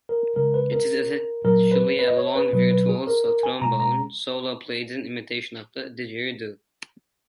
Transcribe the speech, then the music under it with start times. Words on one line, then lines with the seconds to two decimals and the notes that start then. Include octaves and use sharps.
It is essentially a long, virtuoso trombone solo played in imitation of the didgeridoo.
0.09 A#4
0.36 C#3 G#3 A#4
0.54 B4
0.72 A#4
1.45 A#2 F#3 A#4
1.72 B4
1.99 B4
2.08 D#5
2.17 C#5
2.35 B4
2.53 B2 F#3 B4
2.71 B4
2.89 G#4
3.07 A#4
3.25 A#4
3.43 G#5
3.61 B2 G#3 A#5
3.80 A#5